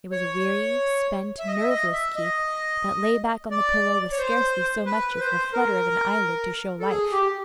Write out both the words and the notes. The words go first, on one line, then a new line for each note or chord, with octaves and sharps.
It was a weary, spent, nerveless Keith that lay back on the pillow with scarcely so much as the flutter of an eyelid to show life.
C#5
E5
D#5
E5
D#5
E5
D#5
D5
C#5
C5
B4
B4
C5
A#4
A4
G#4
G4